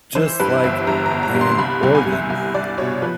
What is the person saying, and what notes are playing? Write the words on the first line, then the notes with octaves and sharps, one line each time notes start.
Just like an organ.
E3 C5
G2 B4
G1 E5
G2 A#5
A#5
G1
A#5
G2
C6
C6
C2 B5
C2
G#5
C2
E5
C2
C2 D5
B2 C#5
F3 B4